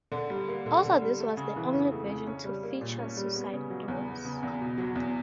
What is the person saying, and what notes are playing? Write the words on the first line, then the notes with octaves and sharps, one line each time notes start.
Also this was the only version to feature suicide doors.
D3
G3
A#3
D3
D3
G3
A3
C#3
E3
F2
A3
C#3
C#4
G3
A#3
A#2
C#4
G3
B3
C#3
F#3
E2
B3
C#3
E2
B2
F#3
E2